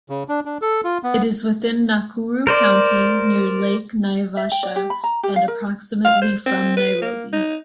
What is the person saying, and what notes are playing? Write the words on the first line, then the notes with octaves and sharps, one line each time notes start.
It is within Nakuru County, near Lake Naivasha and approximately from Nairobi.
C#3
D4
D4
A4
F4
B3
A#4 C5 D5
E5
G5
D5
G4
B5
A#5
G4
F5
A#4
F5
C5
C4
B4
A#3
D#4